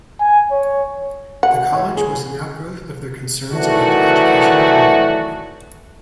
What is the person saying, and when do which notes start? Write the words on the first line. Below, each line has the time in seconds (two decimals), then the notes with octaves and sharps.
The college was an outgrowth of their concerns about the education of women.
0.20 G#5
0.51 C#5
1.43 F#4 F#5
1.72 C#5 E5
1.95 E3 G#4
3.52 D#3 E3 F#3 A3 D4 F#4